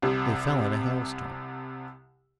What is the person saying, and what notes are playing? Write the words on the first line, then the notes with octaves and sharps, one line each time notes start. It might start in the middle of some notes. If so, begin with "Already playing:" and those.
They fell in a hailstorm.
C2 C3